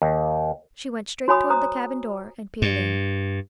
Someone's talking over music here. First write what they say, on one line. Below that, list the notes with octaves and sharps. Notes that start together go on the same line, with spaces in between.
She went straight toward the cabin door and peered in.
D#2
F#4 C#5 G#5 B5 D#6
C5 A#5 D#6
G2